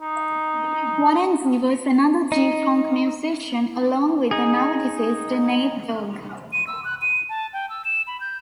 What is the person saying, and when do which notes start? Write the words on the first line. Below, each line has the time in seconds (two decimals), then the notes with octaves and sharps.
Warren G was another G-funk musician along with the now deceased Nate Dogg.
0.02 D#4
2.32 D#4
4.31 D#4 G#4
6.53 D#7
6.67 E6
6.85 F#6
7.02 D#7
7.29 A5
7.53 G5
7.70 E6
7.85 E7
8.07 B5
8.20 G6